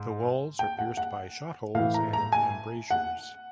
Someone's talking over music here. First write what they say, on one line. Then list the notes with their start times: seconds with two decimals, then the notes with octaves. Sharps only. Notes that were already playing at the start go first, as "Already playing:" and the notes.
The walls are pierced by shot holes and embrasures.
Already playing: G#2
0.59 G5
0.79 F#5
0.97 F#5
1.75 A2 E3 F5
1.94 A#5
2.13 A#5
2.32 G#5
2.91 F#5